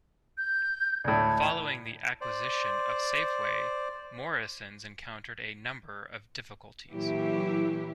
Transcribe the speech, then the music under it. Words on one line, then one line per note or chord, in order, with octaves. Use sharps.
Following the acquisition of Safeway, Morrisons encountered a number of difficulties.
G6
D2 A2 G#6
C5 D5
A#2 E3 F#3 E4 G4